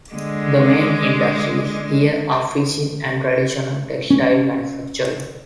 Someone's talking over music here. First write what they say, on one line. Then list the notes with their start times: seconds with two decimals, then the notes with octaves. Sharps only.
The main industries here are fishing and traditional textile manufacturing.
0.12 D3 G#3
4.10 C#4